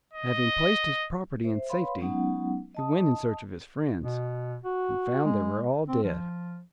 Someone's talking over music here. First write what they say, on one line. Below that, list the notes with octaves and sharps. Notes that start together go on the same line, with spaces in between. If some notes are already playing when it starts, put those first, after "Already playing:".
Having placed his property in safety, he went in search of his friends, and found they were all dead.
D#5
C5 E5
B4 C#5 F5 B5 C6
F#3 G#3 B3 C#4 D#4 F#5
D#5 A5 D#6
B2
F#4
G#3
C4
F3